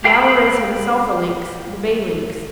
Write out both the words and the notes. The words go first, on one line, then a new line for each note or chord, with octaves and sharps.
Yowler is himself a Lynx, the Bay Lynx.
G4 F5 G5 B5 E6